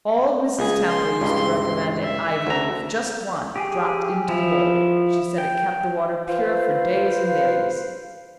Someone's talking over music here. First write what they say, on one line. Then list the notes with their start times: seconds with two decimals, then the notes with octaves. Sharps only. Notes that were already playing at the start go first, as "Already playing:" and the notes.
Old Mrs. Temple used to recommend an ivy leaf--just one--dropped into the bowl. She said it kept the water pure for days and days.
0.59 C#2 G#4
0.89 C6
1.21 C#2 G2
2.04 E5
2.47 D2 A#5
3.56 G4 G#4
4.29 F3 E4
5.38 G5
6.27 F4 B4 C5 F5